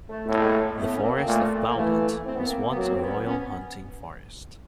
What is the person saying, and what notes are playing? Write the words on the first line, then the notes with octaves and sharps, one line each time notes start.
The Forest of Bowland was once a royal hunting forest.
A3
A2 A3 B3
G#3 A#3
A3
A3 B3
A3 B3
C#4
A#3 C4
A#3 C4
A#2 A3
A#3
E3 A3
C4
B3
A#3 C4
B3
F#3 A#3 C4
C4
B3 C#4
B3 C#4